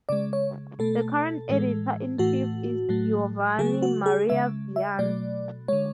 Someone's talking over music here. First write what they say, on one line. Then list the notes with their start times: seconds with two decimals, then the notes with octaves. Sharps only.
The current editor-in-chief is Giovanni Maria Vian.
0.09 C#3 G#3 D5
0.33 C#5
0.79 B2 A3 A4
1.49 A2 E3 G#3
2.18 A2 E3 A3 F#4
2.89 A2 F#3 A3
3.58 C#3 F#3 A3 G#4
3.82 F#4
4.06 G#4
4.29 C#3 G#3 E5
4.76 E5
4.99 B2 F#3 A3 D5
5.68 D3 G#3 C#5